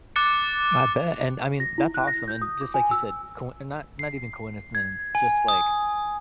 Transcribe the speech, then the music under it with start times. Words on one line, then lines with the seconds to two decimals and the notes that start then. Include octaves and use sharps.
I bet. And, I mean, that's awesome. And just like you said, coin not not even coincidence, just, like,
0.16 D6 F#6 A6 C#7
1.60 A#6
1.78 E4
1.94 F#6
2.08 A#6
2.28 G6
2.42 D#6
2.61 D6
2.74 G#5
2.91 E6
3.99 C7
4.75 G#6
5.15 G#5
5.48 D#6